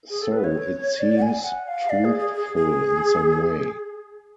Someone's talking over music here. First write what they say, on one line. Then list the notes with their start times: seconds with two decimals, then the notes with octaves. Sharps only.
So it seems truthful in some way.
0.10 G#4
0.21 A4
0.32 B4
0.44 C#5
0.99 D5
1.18 F#5
1.22 G#5
1.44 F#5
1.68 F5
1.90 D5
2.05 G#4
2.20 G#4
2.34 G#4
2.56 G#4